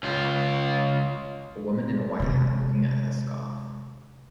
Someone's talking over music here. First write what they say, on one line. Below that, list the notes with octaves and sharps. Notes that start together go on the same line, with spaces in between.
A woman in a white hat looking at her scarf.
C#2 F4
C3 G#3